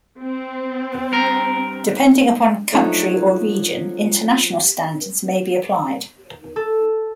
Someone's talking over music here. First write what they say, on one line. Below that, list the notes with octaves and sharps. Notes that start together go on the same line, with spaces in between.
Depending upon country or region, international standards may be applied.
C4
G2 A#4 A#5
G#2
F3 F#3 A3 D4 D#4
A4